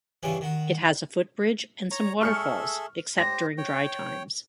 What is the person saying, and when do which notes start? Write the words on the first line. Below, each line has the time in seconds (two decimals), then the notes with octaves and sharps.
It has a footbridge and some waterfalls except during dry times.
0.23 E2 G2 C#3 E3 C#4 G#5
0.41 D#3 F#4
1.91 C#5 A#5
2.21 G#4 A4 E5 C#6 F6 C#7
3.18 G4 C5 A#6
3.58 C#5 G5